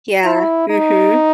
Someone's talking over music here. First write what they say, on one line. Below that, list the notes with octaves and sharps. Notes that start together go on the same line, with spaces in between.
Yeah, mhm.
E4
D#4